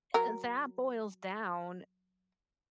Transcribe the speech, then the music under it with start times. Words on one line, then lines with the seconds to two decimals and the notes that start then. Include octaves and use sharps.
eh, that boils down
0.14 F#3 A#4